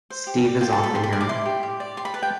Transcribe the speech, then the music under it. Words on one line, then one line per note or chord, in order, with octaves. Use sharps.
Steve is off in Europe.
C5
G4
D5
F4 G5
A5
A4
B5
G4 C6
B5
D5 C6
D6
E4 C6
G4
G4
D5
G4 C6
B5
B4 A5
G5